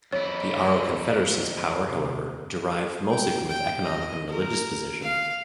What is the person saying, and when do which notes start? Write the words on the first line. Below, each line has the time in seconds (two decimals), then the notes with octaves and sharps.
The Aro Confederacy's power, however, derived mostly from its economic and religious position.
0.13 F2 E4 C#5
0.84 F3
1.80 C3
3.10 G5
3.48 G5
3.82 D#5
4.28 A#4
5.02 F5